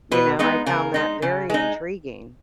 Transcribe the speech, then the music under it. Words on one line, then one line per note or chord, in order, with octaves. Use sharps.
You know, I found that very intriguing.
B2 B4
G#3 B3 D#4
C#3 A#4
G#3 D#4
C#3
G#3 D#4